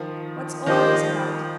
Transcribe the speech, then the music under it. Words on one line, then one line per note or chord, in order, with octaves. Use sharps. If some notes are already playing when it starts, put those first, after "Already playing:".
'What's all this about?
Already playing: D#3 F3
D#3 F3 G4 C5 D#5